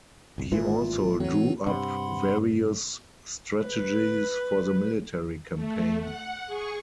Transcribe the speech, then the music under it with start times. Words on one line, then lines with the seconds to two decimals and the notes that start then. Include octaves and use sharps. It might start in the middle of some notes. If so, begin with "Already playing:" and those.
He also drew up various strategies for the military campaign.
0.38 G1 C2
0.52 G#1 A#2 E3 F4
1.20 A2 E3 F#3 C4
1.66 G2 C3 F#5 B5 C6
3.62 B4
5.54 A3
6.00 F#5
6.47 G#4 C#6